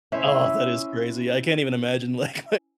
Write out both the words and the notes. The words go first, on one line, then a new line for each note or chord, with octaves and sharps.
Oh, that is crazy. I can't even imagine like,
C#4 E4 C5 E5